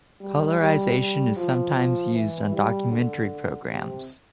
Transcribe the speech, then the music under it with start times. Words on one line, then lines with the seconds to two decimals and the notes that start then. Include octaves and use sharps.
Colorization is sometimes used on documentary programmes.
0.20 G3
0.59 G3
0.97 G3
1.37 F3
1.75 F3
2.14 E3
2.53 G3
2.91 D3
3.68 C3